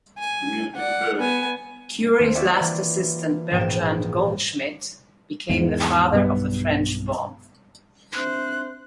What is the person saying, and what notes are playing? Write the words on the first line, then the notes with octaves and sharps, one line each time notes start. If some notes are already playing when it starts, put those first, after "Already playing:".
Curie's last assistant Bertrand Goldschmidt became the father of the French Bomb.
G#5
D5 F#5
B3 G#5
D#2 A#3 C4
F4 F#4 C#5 D5 E5 G5
E3 F4
E1 A#1 G#2 B3 G5 E7
E2 G#2
B1 G2 G3 B3
C4 D4 C5 E5 F#6